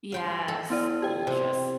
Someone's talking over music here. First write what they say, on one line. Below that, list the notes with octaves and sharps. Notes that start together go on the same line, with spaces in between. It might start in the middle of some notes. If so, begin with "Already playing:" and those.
Yes, delicious.
F5 G5 C6
A4
B3 E4 D5
G4 G5
C3